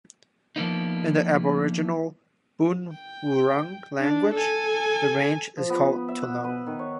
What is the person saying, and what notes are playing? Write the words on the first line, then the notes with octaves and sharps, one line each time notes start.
In the Aboriginal Boonwurrung language, the range is called Tolone.
F3 A#3 B3 D#4
G5
D4
A4 G#5
F3
B3
B5
E5
F#5
B4
D#3
C#5